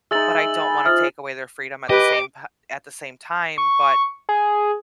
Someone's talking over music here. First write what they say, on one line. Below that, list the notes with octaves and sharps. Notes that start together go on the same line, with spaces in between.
but I don't wanna take away their freedom at the same pi at the same time, but,
G#3 D#4 E5 E6 A6 F#7
G#5 B5
F4 C5 E5 D#6 F6
G4 B4 D#5 D6
C#6
G#4